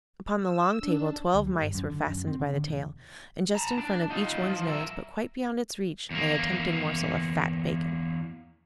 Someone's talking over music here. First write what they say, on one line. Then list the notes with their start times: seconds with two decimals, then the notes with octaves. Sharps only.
Upon the long table twelve mice were fastened by the tail, and just in front of each one's nose, but quite beyond its reach, lay a tempting morsel of fat bacon.
0.36 E6
0.80 D4
1.34 D2
1.47 G3
1.61 G1
1.74 F#2
1.90 D3
2.07 F#2
2.27 C4
2.39 C#3
2.54 D3
2.68 E1
3.55 A5 A#5
3.78 D4
4.10 D#4 F4
4.48 F3
4.67 A#4 E5
6.11 E2 A#3